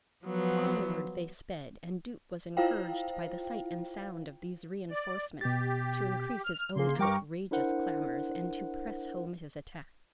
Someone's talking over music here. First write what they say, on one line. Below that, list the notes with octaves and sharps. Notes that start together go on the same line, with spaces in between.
Onward they sped, and Duke was encouraged by the sight and sound of these reinforcements to increase his own outrageous clamours and to press home his attack.
F3 F#3 B3
E4 F4 C5 F5 G5
D5
B2 G4 A6
F6
C#3 A#3 G#4 C6
G2 G3 A#4 G5 C#6 D6
D4 E4 A#4 C5 F#5